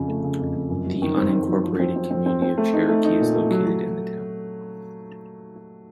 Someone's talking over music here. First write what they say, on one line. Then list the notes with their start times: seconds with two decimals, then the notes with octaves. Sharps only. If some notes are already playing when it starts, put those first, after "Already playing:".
The unincorporated community of Cherokee is located in the town.
Already playing: F2 C#3
0.08 A3
0.24 C#3
0.40 F2
0.55 F2
0.70 F#2
0.86 F#3
1.02 D#3
1.17 C4
1.32 C4
1.48 F#3
1.64 F3
1.79 C4
1.96 C4
2.10 C4
2.26 C4
2.42 C4
2.57 A3
2.73 D#4
2.89 A3
3.04 D#4
3.20 A#2
3.35 A3
3.50 F#3
3.67 F#3